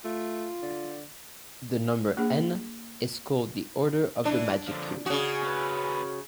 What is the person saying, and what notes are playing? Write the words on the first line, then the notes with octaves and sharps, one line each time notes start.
The number "n" is called the order of the magic cube.
A3 F4
D3
A#3 D4 G#4
E3 D4
D3 F3
C#3 F#4 G#4
C#4 B4